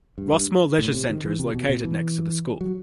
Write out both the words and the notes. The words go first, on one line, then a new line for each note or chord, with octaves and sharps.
Rossmore Leisure Centre is located next to the school.
G2
G2
A2
C3
D#3
E3
C3
B2
B2
E3
F#3